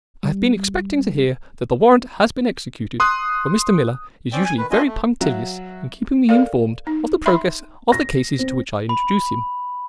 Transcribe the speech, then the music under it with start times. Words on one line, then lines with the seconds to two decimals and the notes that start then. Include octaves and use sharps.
I have been expecting to hear that the warrant has been executed, for Mr. Miller is usually very punctilious in keeping me informed of the progress of the cases to which I introduce him.
0.23 G3
3.00 C6 D#6 F#6
4.32 C4 C#4 D5 G5
4.45 G#5
4.58 D#3 B4
4.71 A3 C4 D4 F4 D#5 G#5
4.86 A3
5.20 F#3 F#4 E5 F5
6.29 A4 A#4 D5 F5
6.87 D#4
7.26 E5 B5 C6
7.92 A#6
8.39 C4
8.89 B5